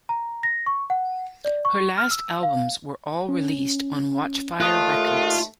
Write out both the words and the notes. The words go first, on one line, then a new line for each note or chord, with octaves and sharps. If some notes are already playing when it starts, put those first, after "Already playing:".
Her last albums were all released on Watchfire Records.
A#5
A#6
C#6
F#5
D5
C#6
F6
E6
F5
C#4
D#2 A3 F4 D#6 F#6